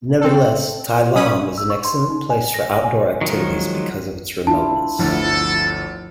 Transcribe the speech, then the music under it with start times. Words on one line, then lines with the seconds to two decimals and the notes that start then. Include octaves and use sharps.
Nevertheless, Tai Lam is an excellent place for outdoor activities because of its remoteness.
0.21 C4 A4
1.15 F#3 C#4 B5 D#6
1.58 E6
1.70 C#6
1.85 C6
2.10 D#4
2.30 G#5
2.54 A#6
2.84 G#5
3.21 D#3 F3 F#3 G#3
4.47 D4 E4 F4 A5
4.99 G1 D2 F3 E4 A4